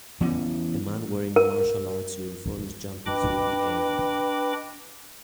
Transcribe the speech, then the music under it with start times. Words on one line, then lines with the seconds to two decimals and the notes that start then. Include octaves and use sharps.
A man wearing a martial arts uniform is jumping through the air.
0.21 E3 B3 C#4
1.36 A#4
3.06 D4 B4 D#5 G5 B5 D6